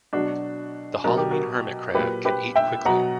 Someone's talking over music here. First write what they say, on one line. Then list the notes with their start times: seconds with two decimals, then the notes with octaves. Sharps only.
The halloween hermit crab can eat quickly.
0.13 B2 F#3 D4 F#4
1.04 B2 F#3 A#4
1.18 G4
1.31 F#4 A#4
1.94 A#2 F#3 G4 B4
2.25 G4 B4
2.56 E5 G5
2.85 B2 F#3 F#5 A#5